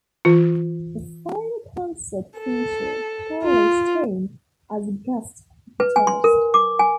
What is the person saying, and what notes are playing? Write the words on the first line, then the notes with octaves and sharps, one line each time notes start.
The final concert featured Charley Stone as guest guitarist.
E3 F4
A4
F4
B4
G#5
C6
A#4
D6
G#5